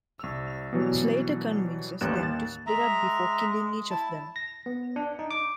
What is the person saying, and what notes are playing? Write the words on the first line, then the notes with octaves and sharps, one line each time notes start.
Slater convinces them to split up before killing each of them.
C2 E6
B2 E3 F#3 G3
A1 D#2 G3 F#6 E7
D#2 A6
G#3 E5 A#5
E4 A5
A#6
B3
D4
D#4
D6